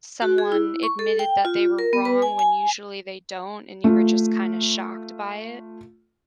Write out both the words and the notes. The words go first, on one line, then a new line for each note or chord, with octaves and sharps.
someone admitted that they were wrong when usually they don't and you were just kinda shocked by it?
F#4
G#4
E4
C#6
A4
G5
F4
A#4
B3
B4
G#5
G#5
A3 F4